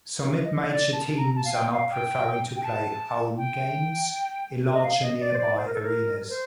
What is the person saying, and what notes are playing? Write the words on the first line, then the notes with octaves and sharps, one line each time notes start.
Some mid-major teams are now preferring to play "home" games in larger nearby arenas.
D#5
D5
A5
A#5
A5
F5
G5
F5
G5
G5
A5
G5
D#5
F5
D#5
D5
C5
D5
C5
A#4
A4
A#4
A#4
C5